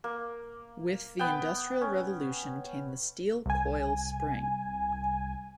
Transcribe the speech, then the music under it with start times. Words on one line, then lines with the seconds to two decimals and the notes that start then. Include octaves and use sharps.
With the industrial revolution came the steel coil spring.
0.04 A#3
1.19 B3 G5
1.81 C#4
3.46 C2 G#5